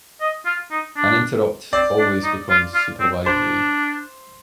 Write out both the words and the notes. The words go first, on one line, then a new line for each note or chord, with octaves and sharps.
An interrupt always becomes supervisory.
D#5
F4
D#4
D4
C4 D5
D4
D#4
F4
F4
C4
D4 C5